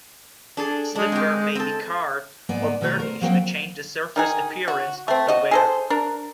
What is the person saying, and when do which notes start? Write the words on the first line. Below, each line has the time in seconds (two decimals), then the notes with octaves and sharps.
Slipware may be carved or burnished to change the surface appearance of the ware.
0.57 D4 G#4 A4
0.95 G#3 D4
1.12 C4 G4
1.55 C4 A4
2.49 G#2 A#3 B3 D5 G#5
2.81 B2 D#3 A3 B3 F#4 A#5
3.00 A#4 C5
3.21 F3 F#3 A#3 C4 F#4 G5
4.16 D#3 D#4 G#4
4.68 F#4
5.08 A3 C4
5.28 F#4 D#5
5.51 G#4 A4 C5
5.90 D4 A#4